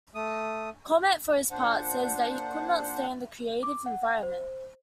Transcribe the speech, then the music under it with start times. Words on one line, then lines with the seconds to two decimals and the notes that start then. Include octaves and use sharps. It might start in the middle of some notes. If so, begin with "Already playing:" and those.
Chomet, for his part, says that he could not stand the creative environment.
0.15 A3 D#6
1.51 A#2 D4 C5 F#5
3.63 D6
3.86 F#5
4.23 C5